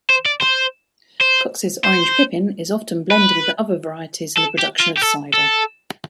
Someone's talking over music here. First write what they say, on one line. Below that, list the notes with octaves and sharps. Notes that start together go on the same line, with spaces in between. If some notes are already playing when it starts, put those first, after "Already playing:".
Cox's Orange Pippin is often blended with other varieties in the production of cider.
C5
D5
C5
C5
C5
B4
A4
G4
F4
G4
A4
A4